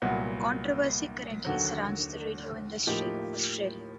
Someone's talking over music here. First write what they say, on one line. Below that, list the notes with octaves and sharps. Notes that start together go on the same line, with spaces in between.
Controversy currently surrounds the rodeo industry in Australia.
C2 A#2 F#3 B3
D#2 D3 F#3
A2 F3 A#3 D#4 G4